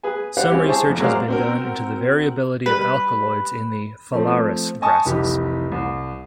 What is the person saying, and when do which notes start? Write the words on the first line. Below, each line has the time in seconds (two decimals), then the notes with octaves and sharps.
Some research has been done into the variability of alkaloids in the "Phalaris" grasses.
0.03 G#4 B4 G#5
0.37 G4 B4 C5 D5 F5 F#5
0.52 G3 C4 C#4 E4 G4
0.69 G#4 C5 A5 C#6
0.87 A1 F2
1.00 F#3 G#3 A#4 C5 D5 F5
1.28 C4 F#4 A#4
2.66 G3 B4
4.12 F3 A3 C4
4.82 D#5 G#5 A5 C#6 D#6
5.05 F1 C2 E3 G4
5.72 C2